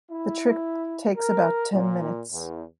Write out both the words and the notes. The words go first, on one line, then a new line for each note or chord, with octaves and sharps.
The trip takes about ten minutes.
E4
A#4
A#2
E2